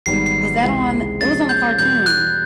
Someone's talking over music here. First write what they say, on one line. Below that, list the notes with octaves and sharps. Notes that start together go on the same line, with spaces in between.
Was that on it was on a cartoon.
G#1 G#2 D#3 G3 B3 C7
C7
C#2 C3 E3 G#3
C3 F3 G#3 C#4 A6
G6
E2 B2 G3 B3 G6
F#6